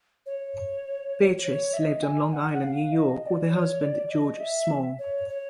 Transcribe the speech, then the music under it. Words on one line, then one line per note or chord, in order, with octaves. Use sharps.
Bertrice lived on Long Island, New York, with her husband George Small.
C#5
C#5
E5
D#5
G#5
F#5
F5
D#5
D#5
D5
C#5
D5
D#5
E5
C#5
C#5